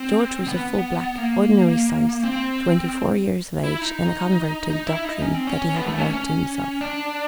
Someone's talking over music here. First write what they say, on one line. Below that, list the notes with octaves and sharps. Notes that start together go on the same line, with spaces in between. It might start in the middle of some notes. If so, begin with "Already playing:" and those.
George was a full black, ordinary size, twenty-four years of age, and a convert to the doctrine that he had a right to himself.
Already playing: C4
B3
A#3
C4
E4
D#4
D#4
E4
D#4
C#4
C4
C#4
B3
A3
C#4
C#4
D4